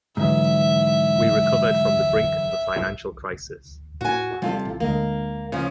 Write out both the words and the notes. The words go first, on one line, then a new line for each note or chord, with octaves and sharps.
We recovered from the brink of a financial crisis.
G#2 D3 E3 F#3 E5
A2 F#4 G#5
C3 F#3 G3 F4 A4
A1
D2 D3 G#3 A#3
C#3 F3